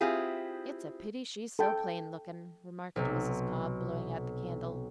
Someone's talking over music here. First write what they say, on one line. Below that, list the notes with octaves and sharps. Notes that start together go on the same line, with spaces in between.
"It's a pity she's so plain looking," remarked Mrs. Cobb, blowing out the candle.
C4 E4 F4 G4 G#4
A4 G5
B1 C3